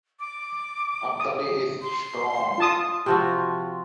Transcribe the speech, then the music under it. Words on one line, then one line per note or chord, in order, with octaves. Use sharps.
Abdali is strong.
D6
D#6
C6
F4 A5 D#6
C3 F3 F#4 G4 G5 A5 C6